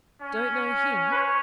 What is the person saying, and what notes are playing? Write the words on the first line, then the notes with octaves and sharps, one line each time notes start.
Don't know him.
C#4
B4
C#5